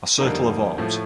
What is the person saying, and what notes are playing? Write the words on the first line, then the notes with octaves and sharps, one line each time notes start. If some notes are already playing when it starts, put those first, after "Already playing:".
A circle of arms.
F2 D3 G3 A#3 D#4
A2 F3 A3